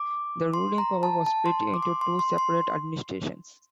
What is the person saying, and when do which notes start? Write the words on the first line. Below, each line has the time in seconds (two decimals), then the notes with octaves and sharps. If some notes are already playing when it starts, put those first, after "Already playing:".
The ruling power was split into two separate administrations.
Already playing: D6
0.54 C6
0.78 A#5
1.03 A5
1.26 A5
1.46 C6
1.74 D6
1.83 C6
2.01 C6
2.19 C6
2.38 C6